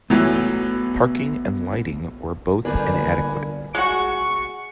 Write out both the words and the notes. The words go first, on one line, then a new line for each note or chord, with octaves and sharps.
Parking and lighting were both inadequate.
A2 E3 F#3 B3
G1 A#2 A#3 D4 B4 G#5
G#3 F#4 C#6